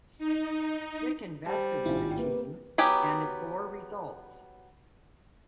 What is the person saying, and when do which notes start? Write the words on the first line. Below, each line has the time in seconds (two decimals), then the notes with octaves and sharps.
Sick invested in the team, and it bore results.
0.18 D#4
0.49 D#4
1.46 G3 C5 A5
1.85 A1 D#2 G#2 C#4 E4 F4
2.17 A#3 C4 B4
2.78 F#3 B3 G4 G#5 B5